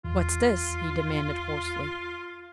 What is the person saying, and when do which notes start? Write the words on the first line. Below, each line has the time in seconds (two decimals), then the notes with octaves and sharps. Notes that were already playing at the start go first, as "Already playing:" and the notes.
"What's this?" he demanded hoarsely.
0.05 E2 F4